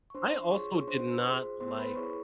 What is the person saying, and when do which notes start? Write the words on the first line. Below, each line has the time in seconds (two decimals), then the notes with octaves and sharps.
I also did not like
0.10 C#6
0.14 D4 C5 C6
0.44 C6
0.51 F4 G#4 C#5 C#6
0.87 D4 C5 C6
1.24 F4 G#4
1.60 B3 C5 C6
1.78 B4 B5
1.96 E4 G#4 C#5 C#6